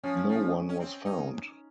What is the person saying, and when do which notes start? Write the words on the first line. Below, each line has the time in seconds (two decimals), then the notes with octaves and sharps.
No one was found.
0.04 F3 C#4
0.29 F3
0.69 C#4
0.80 C4
1.05 D#4